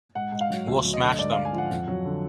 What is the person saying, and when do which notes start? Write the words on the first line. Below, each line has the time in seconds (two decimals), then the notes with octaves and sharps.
We'll smash them.
0.15 G#2 F#5
0.32 G#2
0.41 F5
0.50 F#3
0.68 D2
0.84 F#3
0.94 D#5
1.02 D3
1.19 G#2 D5
1.32 G#2 F5
1.45 G#5
1.53 F3
1.58 F#5
1.71 F2
1.88 F#3
2.05 D3